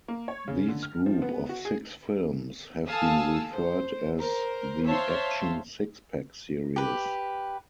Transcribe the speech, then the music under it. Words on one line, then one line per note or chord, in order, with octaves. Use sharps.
These group of six films have been referred as the "Action Six-Pack Series".
A#3
C#5
C#3
D3
F6
F3
B3
F#4
G#4
A4 F5 G#5 A5 D#6 E6
C5
A#4 C5
C5 C#5 E5 F5 A5 C6
G4 B4